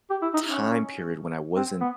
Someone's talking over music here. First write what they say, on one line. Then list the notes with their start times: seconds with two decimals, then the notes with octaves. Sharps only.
time period when I wasn't
0.10 G4
0.22 E4
0.34 D#4
0.47 C#4
1.56 C4
1.81 B3